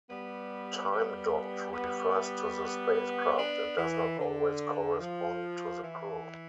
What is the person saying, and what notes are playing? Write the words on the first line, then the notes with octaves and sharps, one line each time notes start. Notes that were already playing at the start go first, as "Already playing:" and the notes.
"Time docked" refers to the spacecraft and does not always correspond to the crew.
G3 B3
G3 B3
G3 B3
B3 D4
E3
D3
F3
E3